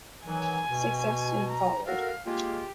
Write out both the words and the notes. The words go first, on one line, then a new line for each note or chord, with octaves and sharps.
Success soon followed.
D#3 E3 F#3 G#5
B2
A#5
F#4 A4 A#4 F5
G#3 A#3 F4 G4